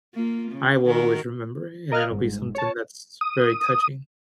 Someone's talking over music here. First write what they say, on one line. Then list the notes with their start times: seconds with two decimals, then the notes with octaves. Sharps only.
I will always remember it, and it'll be something that's very touching
0.14 A#3 F4
0.52 C#3
0.85 D#3 F#4 A#4
1.92 A#4 D#5 F5 F6 F#6 G#6
2.11 G1 G#2
2.55 C#5 A5
3.21 D#6